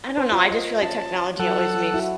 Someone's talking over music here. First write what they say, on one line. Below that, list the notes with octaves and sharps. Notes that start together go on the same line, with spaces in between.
I don't know, I just feel like technology always makes
C5
F4
D#5
C#4 A5
F#3 A4 F#5
E4 F#4